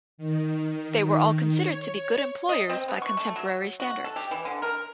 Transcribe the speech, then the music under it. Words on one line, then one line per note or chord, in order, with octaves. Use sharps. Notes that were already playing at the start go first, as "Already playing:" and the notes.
They were all considered to be good employers by contemporary standards.
D#3
C#5
D#5
C4
B3
C#6
A3
F#3
F#4
A4
G4
E3
D3
A#4